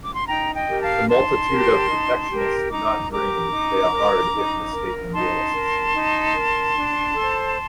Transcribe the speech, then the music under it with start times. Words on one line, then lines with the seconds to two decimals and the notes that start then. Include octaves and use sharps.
The multitude of protectionists do not dream. They are hard, if mistaken, realists.
0.03 D6
0.15 C6
0.28 D#4 G5 A#5
0.55 D#5 G5
0.68 G4 A#4
0.82 F5 A5
1.08 D#4 A5 C6
1.49 G4 A#4
1.90 D#4
2.30 G4 A#4
2.71 D#4 A#5 D6
3.11 G4 A#4 A#5 D6
3.51 D#4
3.92 A#4
4.33 D#4
4.72 A#4
5.13 D#4 A5 C6
5.53 A#4
5.93 D#4
6.34 A#4
6.75 D4
7.15 A4 C5